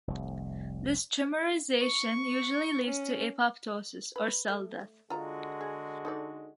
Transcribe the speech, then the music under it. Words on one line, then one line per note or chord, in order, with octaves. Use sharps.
This trimerization usually leads to apoptosis, or cell death.
F1 C2
C#6
C#4
B4
A3
D3 G#3 F4 F#4 A#5
G#4
D#4 A4 D5